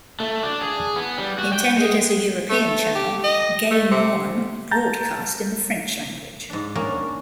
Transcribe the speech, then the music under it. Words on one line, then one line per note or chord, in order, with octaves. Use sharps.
Intended as a European channel, Game One broadcast in the French language.
A3
D4
G#4
B3
G3
F#4
G5
G#3
A3
G4
D#5
A3
C3
A5 A#5 G6 A6
G#2 D4
A#3 C#4 D4 F#4 G#4 A#4